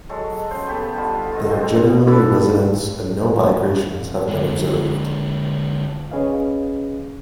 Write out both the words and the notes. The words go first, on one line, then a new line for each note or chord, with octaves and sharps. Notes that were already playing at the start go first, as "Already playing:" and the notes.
They are generally residents and no migrations have been observed.
F#3 G#3 A4
C#3 C5
B3 G4 A4
D3 G3 F4
F4 F#4 A4 D#5
G#2 C4 C5
D4 E4 A4 B4 D5
D3 G#3
C#4 G#4 B4 D#5 F5